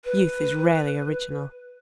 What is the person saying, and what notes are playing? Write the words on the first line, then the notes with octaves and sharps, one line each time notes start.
Youth is rarely original.
B4